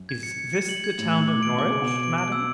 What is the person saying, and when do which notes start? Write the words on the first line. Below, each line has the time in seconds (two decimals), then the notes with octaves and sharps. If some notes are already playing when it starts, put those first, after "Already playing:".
"Is this the town of Norwich, madam?"
Already playing: F#2
0.09 G#6
0.23 C#7
0.38 C#7
0.53 C#7
0.69 F#7
0.84 G#6
0.99 A2 G#6
1.13 F#7
1.28 D6
1.43 D7
1.58 B2 D6
1.70 C#3 D7
1.82 B2
1.88 D7
2.03 D7
2.18 D7
2.32 E6